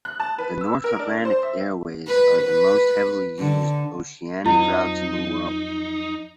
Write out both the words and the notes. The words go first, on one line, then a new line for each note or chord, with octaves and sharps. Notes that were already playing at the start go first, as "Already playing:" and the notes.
The North Atlantic airways are the most heavily used oceanic routes in the world.
F#6
A5
B4
E6
A#4
D4
C5
E5
B4
B4
D3
F2 F3 F#3 D#4 E4